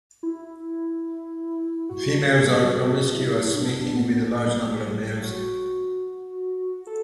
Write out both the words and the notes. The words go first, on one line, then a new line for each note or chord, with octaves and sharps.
Females are promiscuous, mating with a large number of males.
E4
F#4
A4
F#4
E4
D4
B3
D4
B3
F#4
A4